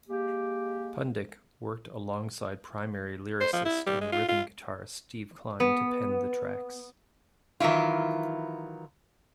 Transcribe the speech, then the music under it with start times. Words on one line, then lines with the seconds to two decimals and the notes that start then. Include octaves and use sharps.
Pundik worked alongside primary lyricist and rhythm guitarist Steve Klein to pen the tracks.
0.09 G#3 A#3 G4
3.41 C5
3.53 F3
3.65 E4
3.86 G3
4.01 G#3
4.13 F4
4.28 F4
5.60 B3
7.60 D#3 E3 F#3 E4 F4